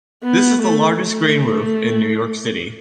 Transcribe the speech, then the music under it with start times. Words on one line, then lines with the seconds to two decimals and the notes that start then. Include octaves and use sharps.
This is the largest green roof in New York City.
0.23 B3
0.62 A3
1.01 A3